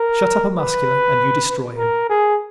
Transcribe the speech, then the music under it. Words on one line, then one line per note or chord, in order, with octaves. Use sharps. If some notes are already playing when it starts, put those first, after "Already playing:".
Shut up a Muscular and you destroy him.
Already playing: A#4
B4
A#4
G#4